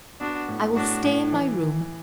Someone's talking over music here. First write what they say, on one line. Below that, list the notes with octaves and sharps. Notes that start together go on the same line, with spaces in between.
I will stay in my room.
B3 D4 F#4
A2
A2 D4 F#4
A2
E3